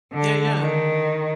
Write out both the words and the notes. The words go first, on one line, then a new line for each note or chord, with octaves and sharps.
Yeah, yeah.
D3
D#3